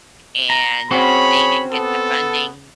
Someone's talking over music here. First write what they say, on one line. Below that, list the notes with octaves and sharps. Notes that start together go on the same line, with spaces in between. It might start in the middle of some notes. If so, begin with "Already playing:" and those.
and they didn't get the funding,
A#5
C4 C#4 F#4 G#4 C#5 B5
B3 A4